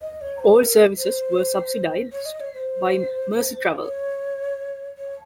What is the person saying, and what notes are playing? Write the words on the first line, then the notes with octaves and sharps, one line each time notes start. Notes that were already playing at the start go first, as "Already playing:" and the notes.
All services were subsidised by Merseytravel.
D#5
C#5
C5
A#4
C5
C#5
D#5
C#5
C5
C#5
C#5